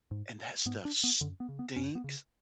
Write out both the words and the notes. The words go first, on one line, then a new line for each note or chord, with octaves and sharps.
and that stuff stinks.
G#2
G#2 B3
D4
B3
F#2 D3
B3
C#3
B3
F#2 C#4
B3
C#3